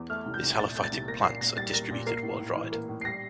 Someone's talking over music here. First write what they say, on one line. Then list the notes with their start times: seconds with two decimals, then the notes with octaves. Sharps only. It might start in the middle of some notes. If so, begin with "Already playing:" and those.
These halophytic plants are distributed worldwide.
Already playing: E2
0.10 A3 F6
0.26 C2
0.34 G6
0.43 C2
0.59 A#2 A6
0.75 A3 G6
0.84 A6
0.92 C2
1.08 A#3 A#6
1.24 A#2 C7
1.41 A#2 A#6
1.57 G3 A6
1.73 A#3 A#6
1.91 A#2
2.07 A#3 C7
2.23 A2
2.39 A2
2.56 E3
2.72 A#3
2.89 A2
3.01 C7
3.05 G3 A#6